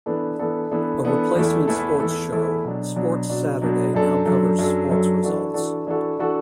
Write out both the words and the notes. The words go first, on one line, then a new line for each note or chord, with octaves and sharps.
A replacement sports show, "Sports Saturday" now covers sports results.
E3 B3 D4 A4
E3 B3 D4 A4
E3 B3 D4 A4
E3 B3 D4 A4
E2 E3 A3 E4 A4
E2 E3 A3 E4 A4
E2 E3 A3 E4 A4
E2 E3 A3 E4 A4
B2 F#3 D4
B2 F#3 D4
B2 F#3 D4
B2 F#3 D4
F#2 F#3 D4 A4
F#2 F#3 D4 A4
F#2 F#3 D4 A4
F#2 F#3 D4 A4
E3 D4 F#4 A4
E3 D4 F#4 A4
E3 D4 F#4 A4
E3 D4 F#4 A4